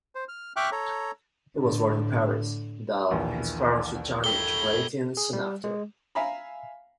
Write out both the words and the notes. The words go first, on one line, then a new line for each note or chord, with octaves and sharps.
He was born in Paris, though his parents returned to Britain soon after.
C5
F6
E5 G5 C#6 D6 F6 F#6
A4 C#5 A#5
A2 D3
A#1 D#2 E3
A4 G5 G7
G#4
G3
G#3
E5 F5 G#5 A#5 B5